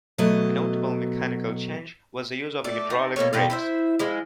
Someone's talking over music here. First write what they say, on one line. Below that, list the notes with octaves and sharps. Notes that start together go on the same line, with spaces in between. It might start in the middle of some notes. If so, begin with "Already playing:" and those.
A notable mechanical change was the use of hydraulic brakes.
B2 F#3 A3 D#5
A3 D5
D#4 A5
B2 A#3 A4 C#5
B2 G3 D#4 F4
E4 C5 E5
F3 G#3 E4